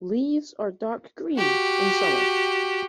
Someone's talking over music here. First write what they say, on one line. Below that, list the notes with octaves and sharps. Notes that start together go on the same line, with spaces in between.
Leaves are dark green in summer.
F#4 G4